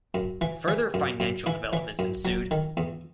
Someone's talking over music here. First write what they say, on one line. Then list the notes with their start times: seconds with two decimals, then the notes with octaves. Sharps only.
Further financial developments ensued.
0.14 F#2
0.41 E3
0.68 E3
0.94 F#2
1.20 F#2
1.46 E3 E4
1.73 E3
1.99 F#2
2.25 F#3
2.51 D#3
2.77 E2